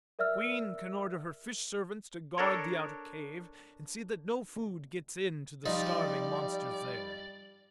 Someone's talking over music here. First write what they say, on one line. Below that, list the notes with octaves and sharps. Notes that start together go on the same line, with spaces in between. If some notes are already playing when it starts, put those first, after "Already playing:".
The Queen can order her fish-servants to guard the outer cave and see that no food gets in to the starving monsters there.
A#4 D5 E5 E6 F6
D4 A4 A#4 C#5
F3 G3 D#4 D5